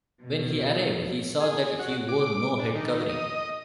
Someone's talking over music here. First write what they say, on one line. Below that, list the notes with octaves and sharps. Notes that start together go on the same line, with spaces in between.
When he arrived, he saw that he wore no head-covering.
B2
G#4
F#4
D6
D4
D#3
D#5